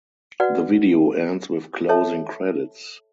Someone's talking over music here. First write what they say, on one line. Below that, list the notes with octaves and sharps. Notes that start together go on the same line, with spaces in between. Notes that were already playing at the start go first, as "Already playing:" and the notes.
The video ends with closing credits.
F#4 B4 D5 F#5
A4 C#5 E5 A5